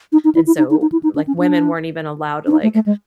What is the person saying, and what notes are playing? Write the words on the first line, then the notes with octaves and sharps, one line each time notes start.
and so, like, women weren't even allowed to, like,
D#4
D#4
E4
E4
D#4
D#4
D#4
E4
D#4
D4
C#4
D4
D4
D#4
A3
A3
G#3